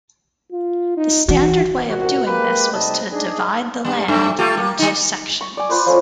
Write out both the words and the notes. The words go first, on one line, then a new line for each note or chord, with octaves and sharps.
The standard way of doing this was to divide the land into sections.
F4
D#4
E3 F#4
C2 A#2 F#4
G#3 A#3 G4 B4
C3 G3 A3 D#4 D#5 A5
D4 D#4 G#4
G2 G3
F#2 A3
A3 F4 G4
A#3
G3 D#4
C#6
D5 G#5
F4 B4 C5 D5
F3 A3 C#4